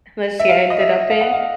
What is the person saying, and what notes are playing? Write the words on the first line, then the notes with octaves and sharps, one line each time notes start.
that she ended up in
E5
F5
D#5
E5
F5
F#5
F5